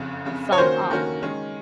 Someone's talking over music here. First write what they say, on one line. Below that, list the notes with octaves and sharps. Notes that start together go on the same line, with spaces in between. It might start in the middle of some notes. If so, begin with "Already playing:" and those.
some, um,
Already playing: F#1 F2 C#3
F#1 F2 C#3
C#5
D#3 A#3 C#4 F#4 A#4 C5
D#3 A#3 C#4 F#4 A#4
D#3 G#3 C#4